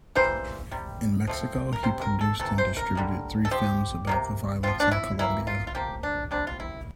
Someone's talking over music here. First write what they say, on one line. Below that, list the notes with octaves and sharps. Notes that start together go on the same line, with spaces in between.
In Mexico he produced and distributed three films about the violence in Colombia.
E3 G3 A#3 C5
C3 G3
F3 A3 C4
A#4
C3 G3 C4 C5
A#4
A4
C3 E3 A#3 A4
C5
A#4
D3 G3 A#3
A4
F3 C4 G4
C3 F3 A#3
F3 C4 F4
D4
E4
E3 A#3 E4
F4
F4
F3 A#3 G4
D4
C3 G3 C4 D4
F4
E4